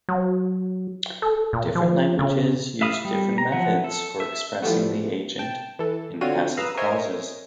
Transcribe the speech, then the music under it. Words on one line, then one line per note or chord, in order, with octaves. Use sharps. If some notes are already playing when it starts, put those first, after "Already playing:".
Different languages use different methods for expressing the agent in passive clauses.
F#3
A4
A#2
F3
C#3
E5 F5 B5 D#6
G3
A#5
F3 F#3 E5 F#5 A#5
A4
E5
E3 F3 G3 A3 B3
G5 A5
E3 A4
D3 C4 F4 F#4 C#5 D#7
B4 F5 A#5 D#6 E6
A#4 C5 C#5 D#5 E5 G#5